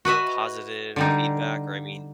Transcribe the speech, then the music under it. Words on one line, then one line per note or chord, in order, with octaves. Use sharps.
positive feedback or, I mean
F#4 B4 D#5 E5
D3 G3 D#4